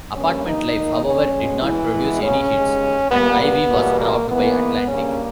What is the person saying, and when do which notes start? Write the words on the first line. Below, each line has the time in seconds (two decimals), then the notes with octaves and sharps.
"Apartment Life", however, did not produce any hits, and Ivy was dropped by Atlantic.
0.15 G2 G3 A#3 C#4 C#5
0.45 D#4 D#5
0.74 D#2 D#3 A#3
1.04 C#4 C#5
1.34 B2 G#3
1.63 E3 E4
1.93 B2 G#3
2.22 C#3 C#4
2.53 D#2 C#3 G#3
3.11 A#2 G3 A#3 B3
3.41 B3
3.70 E2 B2 G3 A#3
4.00 A#3
4.30 G#2 E3 A#3 B3
4.88 G2 C#3 G3 A#3 C#4